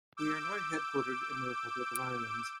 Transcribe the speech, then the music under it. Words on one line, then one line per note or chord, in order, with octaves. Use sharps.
We are now headquartered in the Republic of Ireland.
D6 E6 G6 D7